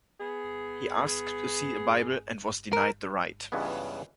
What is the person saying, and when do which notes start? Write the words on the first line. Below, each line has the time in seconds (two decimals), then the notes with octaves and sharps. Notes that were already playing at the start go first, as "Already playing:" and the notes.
He asked to see a bible and was denied the right.
0.20 B3 G#4
2.73 A#4
3.52 C#2 G2 C#3 E3 G#3 B3